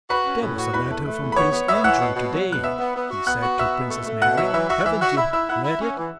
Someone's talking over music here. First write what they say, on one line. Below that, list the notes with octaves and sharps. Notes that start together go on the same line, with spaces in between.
"There was a letter from Prince Andrew today," he said to Princess Mary- -"Haven't you read it?"
F#4 B4 B5
C#4
A2
F#4
E2 B4 B5
A3
A3
E2
B5
B3 C#5 C#6
B3
B3 E5 E6
E3 F#5 F#6
B2
B2
F#3
B2 F#6
B3 E5 E6
B3
B3
F#4
B3 F#5 F#6
F#4
B3 E5 E6
B2
A3
A3
B2 F#5 F#6
F#3 E5 E6
E3 E5 E6
F#4 E5 E6
F#6
E3 E5 E6
F#4 F#5 F#6
E4 E5 E6
E4 E5 E6
E4 F#5 F#6
E4
C#4
E3